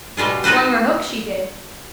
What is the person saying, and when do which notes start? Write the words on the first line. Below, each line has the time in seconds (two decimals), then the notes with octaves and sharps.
Slung her hook, she did.
0.17 B2 G3 G#3 F4 G#4
0.44 D#4 F4 F#4 B4 C5